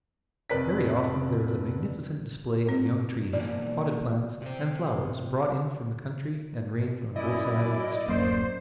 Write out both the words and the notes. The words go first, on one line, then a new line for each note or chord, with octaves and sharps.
Very often there is a magnificent display of young trees, potted plants, and flowers, brought in from the country and ranged on both sides of the street.
F1 B4 D5 B6
C4
B2 E3 A#3 D5
C3 C5
F#2 E4 D5 D#5
D1 F#2 A#3 C5